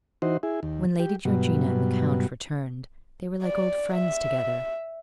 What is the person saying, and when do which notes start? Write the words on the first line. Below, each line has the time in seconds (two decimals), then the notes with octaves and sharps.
When Lady Georgina and the Count returned, they were like old friends together.
0.22 E3 D#4 F#4 C5
0.43 E4 G#4
0.63 D#2
1.00 G4
1.25 G2 B2 F#3
3.43 D5
3.95 E5